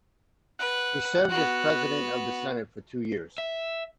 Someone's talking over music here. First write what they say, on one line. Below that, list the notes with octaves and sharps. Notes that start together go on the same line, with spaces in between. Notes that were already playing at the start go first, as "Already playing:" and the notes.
He served as President of the Senate for two years.
B4 F#5
B3 F#4
E5